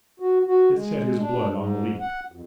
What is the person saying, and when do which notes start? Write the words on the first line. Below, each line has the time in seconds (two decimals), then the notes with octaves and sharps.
It set his blood on the leap.
0.20 F#4
0.47 F#4
0.75 G#3
1.19 D4
1.52 G#2
2.00 F#5
2.32 F2